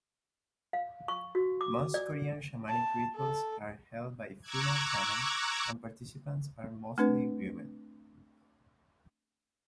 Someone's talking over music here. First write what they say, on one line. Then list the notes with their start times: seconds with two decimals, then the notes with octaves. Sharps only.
Most Korean shamanic rituals are held by female shamans and participants are mostly women.
0.73 F5
1.08 C#6
1.35 F#4
1.61 D6
1.94 D5
2.69 A5
3.16 A4
4.41 A#5 C#6 D6 E6 F#6 G#6
6.98 A3 C4 D4 B4